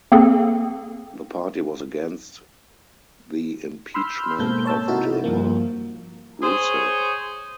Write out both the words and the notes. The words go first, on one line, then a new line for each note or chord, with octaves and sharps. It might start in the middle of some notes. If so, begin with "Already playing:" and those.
The party was against the Impeachment of Dilma Rousseff.
A#3 C4 G#4 A4
B5 C6 E6 F6 G6
G#2 B2 A#3 C4 A4 G6
C#5 A5 E6 A6
C3 D#4 E4 F#4 A#4
G2 F3 A#3
G#4 C5 C#5